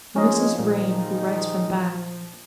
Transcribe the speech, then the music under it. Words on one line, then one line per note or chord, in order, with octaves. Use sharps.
"A Mrs. Vrain, who writes from Bath."
F3 G#3 C#4 D#4 D#5
A#2 D#3 G#3 D#4